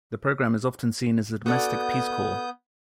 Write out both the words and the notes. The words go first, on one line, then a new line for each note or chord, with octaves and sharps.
The program is often seen as a domestic Peace Corps.
B3 F#4 A4 D5 D#6 G6